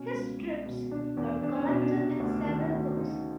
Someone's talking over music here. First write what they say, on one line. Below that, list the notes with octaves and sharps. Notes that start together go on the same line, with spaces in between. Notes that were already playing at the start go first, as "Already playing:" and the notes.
His strips were collected in several books.
Already playing: B2 C#4
C#2
C#2
B2
B2 D4
E2
E2 D4
C#4
B2 D4
D4
C3
D2
D#3 D4
D2
C#3 D#4